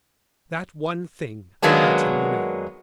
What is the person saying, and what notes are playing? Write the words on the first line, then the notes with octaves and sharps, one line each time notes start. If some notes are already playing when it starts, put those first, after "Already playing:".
That one thing I'll tell you now....
D#3 F#3 G#3 A#3 B3 D4